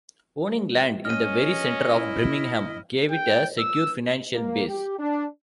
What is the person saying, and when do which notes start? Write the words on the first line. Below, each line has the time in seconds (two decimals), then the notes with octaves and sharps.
Owning land in the very centre of Birmingham gave it a secure financial base.
1.05 C#4 D#5 F6 D#7
1.92 E4
3.11 G5
3.58 E6
4.34 A#3
4.69 G4
4.99 D4